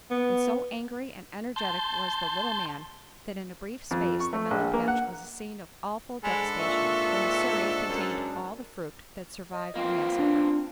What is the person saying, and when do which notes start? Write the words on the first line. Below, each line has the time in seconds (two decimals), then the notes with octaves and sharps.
And so angry and energetic was the little man that in a brief space the melon patch was a scene of awful devastation, and the surrey contained all the fruit that survived the massacre.
0.11 B3
1.56 A5 C6 G6
3.91 F2
4.20 C#6
4.33 A3
4.51 A#1
4.73 A#3
4.88 F#5
6.24 G#2 G#3 D4 A4 B5
6.59 A#2 E5 C#6
7.88 F#2
9.53 D#5
9.76 A#3 C4 F4
10.19 D4